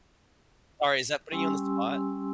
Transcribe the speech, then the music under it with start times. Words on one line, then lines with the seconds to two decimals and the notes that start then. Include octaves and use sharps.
Sorry, is that putting you on the spot?
1.32 G3 C#4 G4 G#5 C6 E6